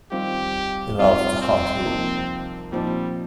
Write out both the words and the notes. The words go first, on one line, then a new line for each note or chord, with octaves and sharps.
He laughed heartily.
D#3 G3 C4 F4 G4
C3 G3 C4 D#4 F4
C4
C3 F3 A#3 D#4
A#2 F3 G3 C4 D#4